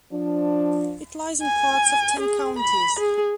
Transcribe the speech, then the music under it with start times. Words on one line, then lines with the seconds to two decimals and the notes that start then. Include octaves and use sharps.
It lies in parts of ten counties.
0.12 F3 D4
1.42 G#5
2.20 G#4
2.59 B5
3.00 G#4